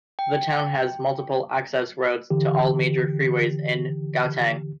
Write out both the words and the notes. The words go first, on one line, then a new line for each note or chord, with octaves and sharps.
The town has multiple access roads to all major freeways in Gauteng.
G5
D3 E3 G4